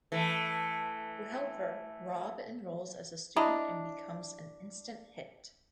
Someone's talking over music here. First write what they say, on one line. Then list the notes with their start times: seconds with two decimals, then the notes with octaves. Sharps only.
To help her, Rob enrolls as a student and becomes an instant hit.
0.12 E3 A3
3.36 D4 E4 D#5 A#5